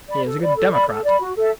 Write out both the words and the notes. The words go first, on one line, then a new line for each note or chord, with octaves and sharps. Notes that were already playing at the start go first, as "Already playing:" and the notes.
He is a good Democrat.
D5 B5
A4
D5 B5
A4
D5 B5
A4
D5 B5
F#4
A4 E5